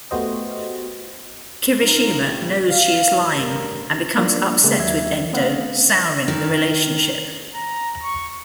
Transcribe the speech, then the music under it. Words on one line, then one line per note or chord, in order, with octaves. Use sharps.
Kirishima knows she is lying and becomes upset with Endo souring the relationship.
A3 B3 F#4 G4 C5 D#5
G1 F2 D#4 F4 A#4
A#1 G3
F5
A1 G2 G4 A#4
F3 G3 A#3 B3 D4 F4
C#3 G#3 A#3
D#2 F#3 E5 G#6
A3 B3 C4 B4 F5 F#5
D#3
A#5
C#6